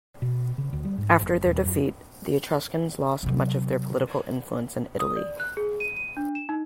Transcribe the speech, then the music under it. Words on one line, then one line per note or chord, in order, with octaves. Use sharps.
After their defeat, the Etruscans lost much of their political influence in Italy.
B2
C#3
D2
G3
G#2
F#1
D#1
F#2
C3 F#3
D#6
D5
F#6
G#4
D#7
D#7
D4
E7
D#4